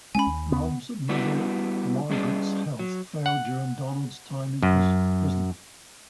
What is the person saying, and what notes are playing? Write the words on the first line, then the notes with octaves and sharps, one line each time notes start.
Rob's mother Margaret's health failed during Donald's time in prison.
G#3 B3 C#4 G#5 B5
D#2
B3
G3 B3 E4 F#4 G4 B4
G3 C#4 G#4 A#4 D5 D#5
F#3
F#5
F#2